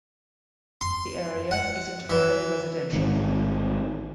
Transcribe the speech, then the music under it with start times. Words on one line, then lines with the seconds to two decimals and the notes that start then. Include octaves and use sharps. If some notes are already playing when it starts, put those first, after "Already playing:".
The area is entirely residential.
0.81 C6
1.51 F#5
2.10 E3
2.93 A1 G#2 D#3